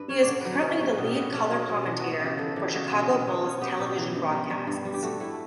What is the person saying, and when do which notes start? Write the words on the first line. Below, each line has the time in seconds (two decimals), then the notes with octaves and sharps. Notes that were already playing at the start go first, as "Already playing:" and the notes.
He is currently the lead color commentator for Chicago Bulls television broadcasts.
Already playing: G2 B4
0.09 C#4 C#5
0.22 D3 C#5 D5
0.41 F#3 B4
0.53 B4
0.62 C#4 D5
0.80 G3 C#5
0.94 B2 B4
1.07 G4
1.15 B2 F#4
1.32 C#4 D4
1.51 B2
1.59 C#4
1.69 B2
1.86 E3 D4
2.00 B3 F#4
2.12 E4
2.20 C#3
2.26 G4
2.39 E3 A4
2.56 E3 G4
2.74 C#3 F#4
2.91 B2 F#4
3.09 B2 E4
3.27 B2 D4
3.44 B3 C#4
3.62 B3 G4
3.80 B2 G4
3.97 E3
4.15 G2
4.33 G3
4.50 G3
4.67 G2
4.85 G3
4.94 G4
5.03 A3 F#4
5.20 A3 E4